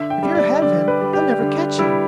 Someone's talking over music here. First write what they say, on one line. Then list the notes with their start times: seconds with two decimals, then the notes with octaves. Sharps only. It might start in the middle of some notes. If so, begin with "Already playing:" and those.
If you're ahead of him they'll never catch you.
Already playing: D3 E5
0.10 G5
0.23 G3
0.35 D5
0.62 D3 D5
0.88 B4
1.01 G3
1.13 G4
1.40 D3
1.78 G3 E4